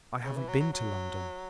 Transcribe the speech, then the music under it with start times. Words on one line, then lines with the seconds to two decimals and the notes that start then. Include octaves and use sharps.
'I haven't been to London.
0.25 C#3
0.36 E3
0.48 F#3
0.60 F#3
0.73 F#3